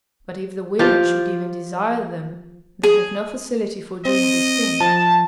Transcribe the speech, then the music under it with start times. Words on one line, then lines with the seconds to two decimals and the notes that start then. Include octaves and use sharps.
But if the women should even desire them they have no facility for doing these things.
0.79 F3 F4 G4
2.83 G#4
4.05 C4 D#5
4.80 F3 A5